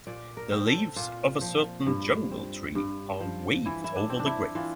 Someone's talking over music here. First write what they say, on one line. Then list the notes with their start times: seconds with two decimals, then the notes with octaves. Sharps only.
The leaves of a certain jungle tree are waved over the grave.
0.07 A#2 D5
0.37 A#4
0.52 C4
0.67 A4
0.96 A#2 F4
1.41 F3
1.87 G2
2.31 C4
2.75 G2
3.21 F3
3.66 E3 E4
3.84 E4
3.96 D4
4.10 C4
4.19 D4
4.26 E4
4.55 E3 F4